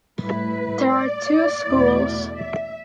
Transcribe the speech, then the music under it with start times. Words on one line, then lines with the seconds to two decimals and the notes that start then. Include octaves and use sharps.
There are two schools.
0.19 A2 G3 E4 B4
0.92 D5
1.64 E2 B2 A3 E4
2.36 E5